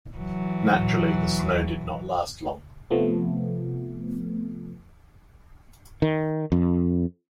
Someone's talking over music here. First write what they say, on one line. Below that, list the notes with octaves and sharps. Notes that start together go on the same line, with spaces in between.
Naturally, the snow did not last long.
E3 F#3
C3 F3 A3 B3
D#3
F2